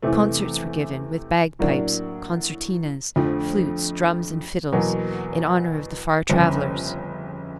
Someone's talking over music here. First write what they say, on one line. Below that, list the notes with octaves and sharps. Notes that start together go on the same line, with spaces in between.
Concerts were given, with bagpipes, concertinas, flutes, drums, and fiddles, in honour of the far-travellers.
E2 C3 E3 A3
A2 F#3 A#3 D4
F2 D3 F3 A3
E2 B2 F#3 A#3
G1 F2 C#3